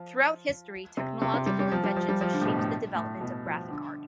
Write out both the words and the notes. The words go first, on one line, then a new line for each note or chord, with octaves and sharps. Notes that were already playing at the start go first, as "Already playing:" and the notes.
Throughout history, technological inventions have shaped the development of graphic art.
Already playing: F3
C3
C3
C3
G3
G3
F3
G3
F3
G3
F3
D3
A2
B2
A2
A2
B2
F3
D3